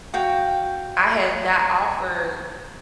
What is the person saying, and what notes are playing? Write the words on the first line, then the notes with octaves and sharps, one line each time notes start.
I had got offered
F#4 F5 G5